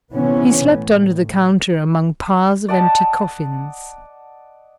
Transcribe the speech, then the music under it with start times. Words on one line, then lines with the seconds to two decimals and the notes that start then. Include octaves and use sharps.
He slept under the counter among piles of empty coffins.
0.12 C3 E3 B3 C#4
0.66 A2
2.68 D5 D#5 F#5 A5